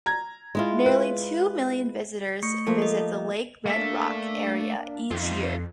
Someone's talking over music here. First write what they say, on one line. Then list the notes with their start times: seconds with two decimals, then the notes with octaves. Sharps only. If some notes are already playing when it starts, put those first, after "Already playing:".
Nearly two million visitors visit the Lake Red Rock area each year.
0.06 A#5 G#6
0.55 G#3 E4 F4
0.86 B4
2.43 A3 C#6 C#7
2.67 F3 A3 A#3 A4
2.82 D#5
3.66 A3 A#3 D4 A4 E5
5.11 F2 D#4 F4